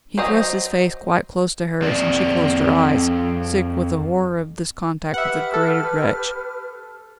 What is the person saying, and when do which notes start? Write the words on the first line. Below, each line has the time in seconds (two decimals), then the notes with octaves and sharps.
He thrust his face quite close to hers, and she closed her eyes, sick with the horror of this contact with the degraded wretch.
0.18 F#3 C5 D#5
1.82 F2 C4 D5
5.14 G4 B4 E5 F#5 F6
5.54 A4